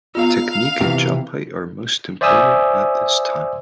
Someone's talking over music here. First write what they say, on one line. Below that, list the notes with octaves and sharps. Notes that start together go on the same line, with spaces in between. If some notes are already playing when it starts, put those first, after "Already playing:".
Technique and jump height are most important at this time.
B3 F4 F5
C3 E3
C5 D5 E5 G#5 D#6 E6